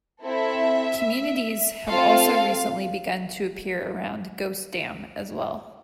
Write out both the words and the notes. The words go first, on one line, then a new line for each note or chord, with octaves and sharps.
Communities have also recently begun to appear around Ghost Dam as well.
C4 E4 A4 E5
C4 F4 A4 F5